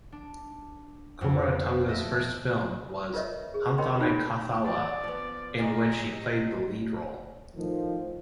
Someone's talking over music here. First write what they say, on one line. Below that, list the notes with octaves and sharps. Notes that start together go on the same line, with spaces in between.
Kumaratunga's first film was "Hanthane Kathawa", in which he played the lead role.
D4
F2 B2 C4
A4 D#5 E5
F4 A#4 B4 C#5 D#5 E5
G#4
A#4 C#5 D#5 G5 B5 C6
D#4 F4 B4 C#5 G5 B5
D5
F3 B3
A#2 D#5
C3
A2 D#3 F3